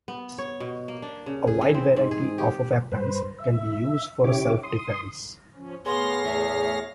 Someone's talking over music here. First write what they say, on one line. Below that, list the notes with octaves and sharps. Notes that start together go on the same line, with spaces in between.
A wide variety of weapons can be used for self-defense.
B3
C#5
B2
A#3
D4
C#3
G#4
E3
C4
G#2
G#4
G4
G2 B4 C5
E5
C#3 E4 G4 C#5 D6
C6 D#6
F3 C#4
A2 B3 G#4 C#5 F5 C6 A#6
E2 E5